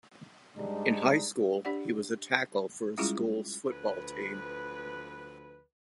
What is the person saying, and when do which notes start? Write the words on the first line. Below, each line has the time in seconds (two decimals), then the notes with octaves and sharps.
In high school, he was a tackle for his school's football team.
0.57 G#2 G3 G#3 D4 D#4
1.65 D4 G4 D5 F#5
2.98 G3 G#3 C#4 E4 F4 G#4
3.70 D2 F3 B4